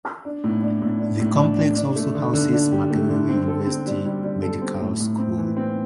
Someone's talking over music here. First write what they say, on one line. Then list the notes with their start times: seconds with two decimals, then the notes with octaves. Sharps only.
The complex also houses Makerere University Medical School.
0.25 D4
0.44 A2
0.62 D4
0.82 A2
1.00 D4
1.20 A2
1.38 D4
1.57 D4
1.76 D4
1.96 A3
2.15 D3
2.33 D3
2.52 D4
2.72 G4
2.90 A3
3.10 D3
3.29 C4
3.48 A4
3.66 C4
3.86 G3
4.05 G3
4.23 G3
4.42 A4
4.62 C4
4.81 A2
5.00 A2
5.18 C4
5.38 E3
5.57 C4